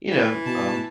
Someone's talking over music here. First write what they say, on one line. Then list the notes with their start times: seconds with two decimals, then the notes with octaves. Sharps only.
you know, um
0.10 E3
0.45 B2 A5